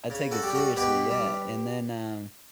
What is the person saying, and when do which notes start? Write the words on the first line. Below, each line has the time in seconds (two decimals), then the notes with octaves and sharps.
I take it seriously, yeah, and then, um
0.10 C#3
0.31 F#4 A4
0.43 G3
0.50 G4
0.55 F#4 A4
0.77 B2 G4 B4
1.10 G3